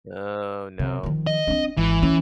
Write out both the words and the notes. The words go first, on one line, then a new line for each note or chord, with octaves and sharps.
Oh no.
C3
D#3 F3
D#5
C4 D4
G#1 E3
C#4 E4